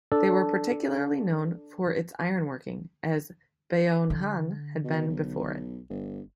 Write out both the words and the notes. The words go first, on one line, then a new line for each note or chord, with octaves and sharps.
They were particularly known for its iron-working, as Byeonhan had been before it.
D4 A4
D3
B2
B1
G1